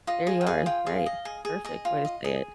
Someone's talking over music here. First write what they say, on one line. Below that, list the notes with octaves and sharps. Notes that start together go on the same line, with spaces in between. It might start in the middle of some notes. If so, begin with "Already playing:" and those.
There you are, right, perfect way to say it.
F4 D#5
G#4 D#5
G5
G#4 F5
F4 G5
G#4 F5
D#5
G#4
G#4
G#4 D#5
F4
D#5
G#4